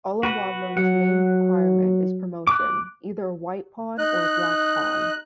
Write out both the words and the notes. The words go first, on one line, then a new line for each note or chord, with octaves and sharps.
Allumwandlung's main requirement is promotion, either a white pawn or a black pawn.
F#4 B4 F#5
F#3 F#5
D6 F#6
D#4 D#5 F#6